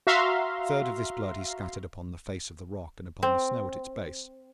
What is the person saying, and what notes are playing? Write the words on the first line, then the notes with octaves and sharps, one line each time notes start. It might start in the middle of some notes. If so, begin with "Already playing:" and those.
A third of this blood he scattered upon the face of the rock and upon the snow at its base.
F#4 E5 F5 A#5 C6
C4